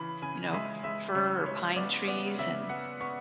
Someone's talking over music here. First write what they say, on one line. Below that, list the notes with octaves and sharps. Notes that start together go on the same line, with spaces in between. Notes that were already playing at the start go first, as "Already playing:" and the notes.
you know, f fir or pine trees and,
Already playing: C#3 E3 B5
C#3 G#5
G#3 E5
G#3 E5
C#3 C#5
G#3 C#5
B3 D5
B3 D5
C#3 E5
B3 F#5
B3 C#6